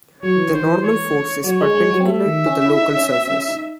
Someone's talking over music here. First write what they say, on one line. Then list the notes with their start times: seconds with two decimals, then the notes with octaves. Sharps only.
The normal force is perpendicular to the local surface.
0.23 F#3 C#5
0.36 E3
0.48 D#3 C5
0.62 E3
0.83 C#5
1.44 F#3 C#5
1.60 G#3
1.74 G#3
1.90 F#3
2.00 C4
2.05 A3 E5
2.26 D#3
2.46 C#4
2.66 E4
2.82 D#4
2.97 C#4
3.13 C4
3.27 C#4
3.48 D#4